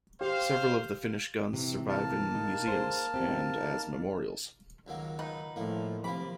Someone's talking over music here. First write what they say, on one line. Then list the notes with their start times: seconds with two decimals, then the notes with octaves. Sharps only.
Several of the Finnish guns survive in museums and as memorials.
0.21 G4 C5 F5
1.53 C3 E3
1.89 A#3 A5 F6
2.35 D#4
2.68 G#4 C5
3.14 C4 G4
3.57 D#4
4.87 C#2 D#3 F#3 A#3
5.19 D#4 B4
5.56 A2 F3 A#3
6.04 C3 F3 A#3 B5 D6